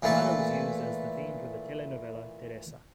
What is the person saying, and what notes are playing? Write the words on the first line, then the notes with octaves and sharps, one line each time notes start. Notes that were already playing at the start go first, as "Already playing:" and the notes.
The latter was used as the theme for the telenovela 'Teresa'.
A#2 E3 A3 A5